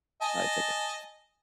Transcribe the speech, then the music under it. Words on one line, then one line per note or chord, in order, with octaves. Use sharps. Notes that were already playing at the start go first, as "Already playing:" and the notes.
All right, take care.
D#5 G#5 A5